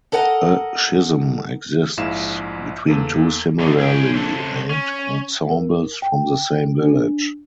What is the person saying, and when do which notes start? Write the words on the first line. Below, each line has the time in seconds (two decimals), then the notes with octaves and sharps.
A schism exists between two similarly-named ensembles from the same village.
0.12 A4 A#4 D#5 F#5 G#5 A#5
1.97 A#1 G#2 E4 F5 E7
2.87 E2 A#3 A4 D#7
3.60 E3 B3 D#4 A4
3.78 D#3 G#4 G5
4.14 C#3 C4 A4
4.70 C#4
5.51 A#4
6.02 G5
6.82 D4